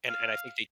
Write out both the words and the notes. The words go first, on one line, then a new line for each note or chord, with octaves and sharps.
and and I think they
F5